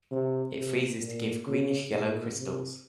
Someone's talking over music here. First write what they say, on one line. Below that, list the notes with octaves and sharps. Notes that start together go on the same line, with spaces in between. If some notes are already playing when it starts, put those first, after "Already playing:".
It freezes to give greenish-yellow crystals.
C3
C3
A#2
C#3
A#2
C3